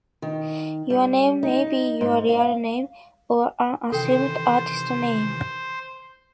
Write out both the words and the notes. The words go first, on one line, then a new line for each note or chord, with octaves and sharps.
Your name may be your real name, or an assumed artist name.
D#3
G3
D#4
G#2
F5
C3 D#3 E3 A4 C5 G5